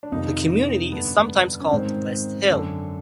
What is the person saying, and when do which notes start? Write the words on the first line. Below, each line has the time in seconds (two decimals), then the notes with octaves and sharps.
The community is sometimes called "West Hill".
0.03 D4
0.12 F2 C3 D#3 D#4
0.92 G2 D3 B3
1.60 C#4
1.71 G#2 D#3 C4
2.50 F#2 D3